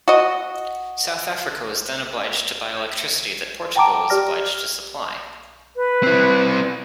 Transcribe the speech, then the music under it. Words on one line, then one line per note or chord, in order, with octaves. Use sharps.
South Africa was then obliged to buy electricity that Portugal was obliged to supply.
F#4 D#5
F#5 G5 A5 A#5 D6 D7
G4 D5 F6 A#6
B4
C4 E4